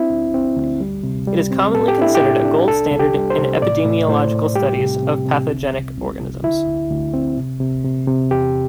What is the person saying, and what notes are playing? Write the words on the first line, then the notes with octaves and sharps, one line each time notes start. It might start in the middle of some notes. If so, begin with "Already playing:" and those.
It is commonly considered a gold standard in epidemiological studies of pathogenic organisms.
Already playing: C4 D4 E4
D2
C4
D2
G3
C3
G3
C4
A2 A4
G4
D4 E4
G4
A2
D4
C2 A4
C2
G4
G3
C5
C3
A2 D5
A2
A2 C5
A2
G3 G4
C3
C3
C3
C2
C2
C2
C2
D3 E4
D2
D2
C4
C3
C3
C3
C3
E2 G4